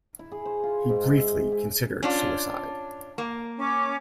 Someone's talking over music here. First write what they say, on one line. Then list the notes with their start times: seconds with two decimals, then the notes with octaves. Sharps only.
He briefly considered suicide.
0.19 E4
0.32 G#4
0.45 C5
0.63 F4
0.89 G#2
1.17 E5
1.52 G#4
2.03 C#4 D4 F4
3.18 A#3
3.59 C#4 D6